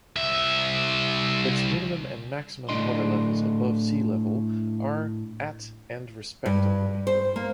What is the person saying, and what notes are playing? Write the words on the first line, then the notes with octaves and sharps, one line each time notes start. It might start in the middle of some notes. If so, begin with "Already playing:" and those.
Its minimum and maximum water levels above sea level are at and respectively.
C2 E5
A2 D4 D#5 C6
G2
C5
A#3